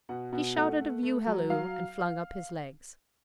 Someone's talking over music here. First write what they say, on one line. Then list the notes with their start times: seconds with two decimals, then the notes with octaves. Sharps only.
He shouted a view-halloo, and flung up his legs.
0.09 B2 F#5
0.33 B2 F#5
0.56 A3 F#5
0.79 A3
1.03 A3
1.27 F#3
1.50 F#3 F5